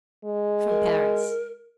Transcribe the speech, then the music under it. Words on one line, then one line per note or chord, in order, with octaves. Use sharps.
"From Paris."
G#3
A#4